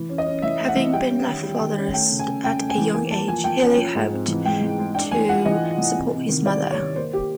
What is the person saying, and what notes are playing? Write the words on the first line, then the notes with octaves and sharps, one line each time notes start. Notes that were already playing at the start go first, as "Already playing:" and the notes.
Having been left fatherless at a young age, Healy helped to support his mother.
Already playing: E3
C#4
D#5
C#4
E3 E5
A3
F#5
E3
G3 G5
C#4
D#3
G3
D#3
C#4
A3 G5
C#3
G#5
C#3
C#3 G5
A3
G#5
E3
A#3 G#5
A#3 A5
F3 G#5
F3 G5
C#4
F3
G#2
C4
E3
G#3 G5
E3
G#3
D4 G5
E3 G#5
F4 F#5
E3 D#5
F4
E3
C3
C3
D#3
G3 D5
C3
C#5
D#3
A#3 C5
G4